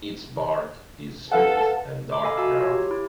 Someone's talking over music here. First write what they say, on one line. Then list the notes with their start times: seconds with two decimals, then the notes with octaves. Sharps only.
Its bark is smooth and dark brown.
1.32 A4 B4 F5 F#5
2.12 D6
2.24 A4 D#5 F5 G#5 A#5 B5
2.38 F#4 E5 F5 A5 A#5 E6
2.56 F4 C#5
2.71 G4
2.91 E4